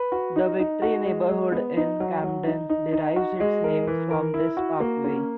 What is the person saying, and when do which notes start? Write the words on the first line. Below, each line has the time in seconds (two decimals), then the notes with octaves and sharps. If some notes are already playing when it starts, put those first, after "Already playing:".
The Victory neighborhood in Camden derives its name from this parkway.
Already playing: B4
0.12 F#4
0.36 D#4
0.59 D#4
0.82 F#4
1.06 G#3
1.29 G#3
1.52 B3
1.77 D#4
2.00 F#3
2.24 F#3
2.47 D#4
2.69 D#4
2.93 D#4
3.16 F#4
3.40 G#3
3.64 A#4
3.87 E3
4.11 A#4
4.34 E4
4.57 F#4
4.80 A#3
5.04 C#4